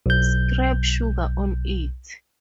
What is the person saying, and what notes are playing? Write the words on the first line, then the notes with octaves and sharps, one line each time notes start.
Scrape sugar on it.
B1 G6